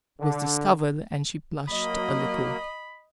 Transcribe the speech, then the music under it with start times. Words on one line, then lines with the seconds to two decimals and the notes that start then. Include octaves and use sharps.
She was discovered, and she blushed a little.
0.20 D3
1.68 F#3 A#3 D#5 B5